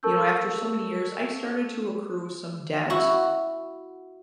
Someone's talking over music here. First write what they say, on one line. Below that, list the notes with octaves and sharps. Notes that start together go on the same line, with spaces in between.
you know, after so many years, I started to accrue some debt,
A4 A#4 A5 C#6 E6 G6
E4 F#4